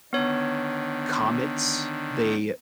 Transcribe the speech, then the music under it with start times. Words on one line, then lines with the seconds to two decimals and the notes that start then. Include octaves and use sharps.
comets, they
0.13 D3 D#3 B3 C#5